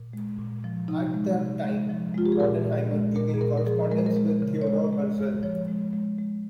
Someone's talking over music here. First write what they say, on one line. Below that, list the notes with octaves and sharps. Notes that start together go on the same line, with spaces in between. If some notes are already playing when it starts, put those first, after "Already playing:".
At that time Bodenheimer began correspondence with Theodor Herzl.
Already playing: A#2
G#3
A#2
F3
C3 D#4
G#3
C3
G#3
F3
G#3 F4
G4
G#4
A#2 A#4
A#2
G#3
A#2 A#4
G#4
A#2 A#4
A#4
F3 G#4
G#3 A#4
C5
A#4
G#3
C#3
C#5
G#3 C5
G#3
G#3
F3 C#5
G#3
G#3
G#3